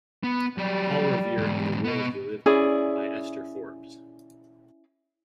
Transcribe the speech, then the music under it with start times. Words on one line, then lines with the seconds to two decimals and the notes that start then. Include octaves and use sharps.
Paul Revere And The World he Lived In, By Ester Forbes.
0.23 B3
0.58 F#3 G3 G4
1.38 E2 G#2
1.84 B3 D#5
2.46 C#4 E4 G#4 D5